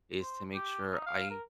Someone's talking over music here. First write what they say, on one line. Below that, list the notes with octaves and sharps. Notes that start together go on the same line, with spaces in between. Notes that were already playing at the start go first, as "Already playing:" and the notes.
is to make sure I
C5
G4
D#4
F5
A#4